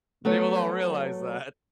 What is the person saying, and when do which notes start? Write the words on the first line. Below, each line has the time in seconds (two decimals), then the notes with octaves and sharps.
People don't realize that.
0.25 F#3 A3 B3 C#5